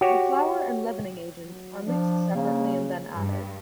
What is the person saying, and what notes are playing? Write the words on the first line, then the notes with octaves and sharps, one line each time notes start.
The flour and leavening agent are mixed separately and then added.
F#4 G4 C#5
F#3
F3 D4
C#3 A#3
G2